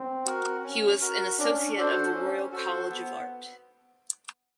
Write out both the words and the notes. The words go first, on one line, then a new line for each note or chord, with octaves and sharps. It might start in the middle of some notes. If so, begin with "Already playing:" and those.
He was an associate of the Royal College of Art.
Already playing: C4
F#4 A#4
C#4
F#4 A#4
C#4 D4
D4 F#4 A4 C5
C#4
F#4 A4 C5
B3